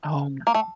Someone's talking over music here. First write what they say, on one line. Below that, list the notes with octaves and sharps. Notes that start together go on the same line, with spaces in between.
Oh, no.
A#3
A3